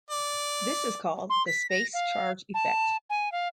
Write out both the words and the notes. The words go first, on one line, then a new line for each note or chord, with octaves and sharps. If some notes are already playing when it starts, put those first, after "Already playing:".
This is called the "space charge effect".
D5
C6
B6
A#6
F5
A5
G#5
F5